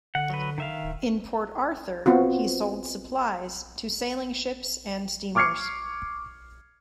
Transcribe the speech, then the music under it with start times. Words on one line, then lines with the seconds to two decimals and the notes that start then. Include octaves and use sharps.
In Port Arthur, he sold supplies to sailing ships and steamers.
0.15 D3 F#5
0.30 F#3 B4
0.58 D#3 E5 F5
0.84 D1
2.06 B3 C4 F4 F#4
5.35 C#6 D6 F6 G#6 C7 C#7